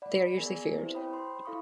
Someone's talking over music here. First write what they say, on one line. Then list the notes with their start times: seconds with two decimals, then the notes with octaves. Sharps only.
They are usually feared.
0.02 D5 F#5 B5
0.38 B3 G#4 A#4 D5 G#5
0.78 C4 E4 G4 B4 C5
0.94 C5 C#5 G5 B5 D#6
1.11 B5 C6
1.45 E4 A4 F5 B5 C#6 D#6